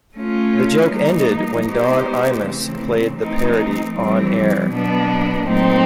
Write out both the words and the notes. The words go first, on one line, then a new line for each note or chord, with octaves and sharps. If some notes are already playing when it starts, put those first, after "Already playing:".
The joke ended when Don Imus played the parody on-air.
A3 C#4 F4
E3 G3 A#3 D#4
G#3 B3 D#4 G4 C5
C#3 E3 A3 C4
E3 A3 C4 D#4
E3 G3 C4
B2 F#3 B3 D4
A#2 F#3 A3 C4 D#4